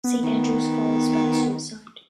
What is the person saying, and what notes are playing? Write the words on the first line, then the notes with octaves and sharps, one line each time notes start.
"Saint Andrew's Fall" is about suicide.
B3
D#3